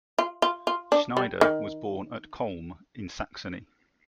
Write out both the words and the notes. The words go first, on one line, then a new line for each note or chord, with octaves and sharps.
Schneider was born at Collm in Saxony.
F4
F4
F4
D4
G3
D#3